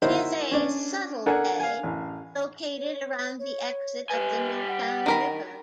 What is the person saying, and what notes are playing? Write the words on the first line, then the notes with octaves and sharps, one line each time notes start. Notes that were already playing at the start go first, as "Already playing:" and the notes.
It is a subtle bay located around the exit of the Newtown River.
D#4 E4 F#4 A#4 C5 E5
C#4 D4 D5
D4 A4 A#4 F#5 G#5
F5 G#5
A1
C#5
C#5
G3 B4 G#5
F#5
D#3 A#4 B5